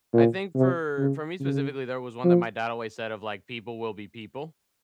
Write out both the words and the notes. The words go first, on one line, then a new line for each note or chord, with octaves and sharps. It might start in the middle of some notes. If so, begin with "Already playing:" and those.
I think for for me specifically, there was one that my dad always said of, like, "People will be people,"
A#2
C3
C#3
C#3
F3